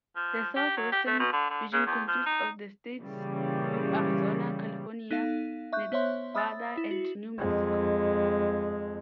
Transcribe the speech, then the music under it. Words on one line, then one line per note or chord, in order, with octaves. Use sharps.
The Southwestern Region consists of the states of Arizona, California, Nevada, and New Mexico.
F3
G4
F#3
G4
A3
B2
D3
D3
C#3
E2
F3
D#4
A#2 C#3 E3 G3
B3 D#4 A4 F5
E5 C#6 F#6 G6
B3 C5 C#5 E5 C6
E5 B5 D#6 E6 A6
E4
F#4
F2 G#3